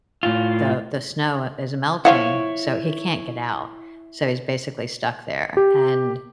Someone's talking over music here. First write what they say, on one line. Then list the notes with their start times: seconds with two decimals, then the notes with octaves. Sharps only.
the the snow is melting, so he can't get out, so he's basically stuck there. And
0.23 A2 F4
2.05 F3 E4 C#5 F5 F#5
5.57 G4